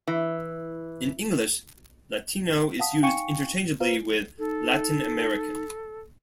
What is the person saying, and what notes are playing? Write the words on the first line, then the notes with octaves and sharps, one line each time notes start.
In English, "Latino" is used interchangeably with "Latin American".
E3
F5 F#5 A5 D#6 B6
D#4 F5 G5 G#5 C#6 C#7
F4 B4 C5 F5
D#4 A4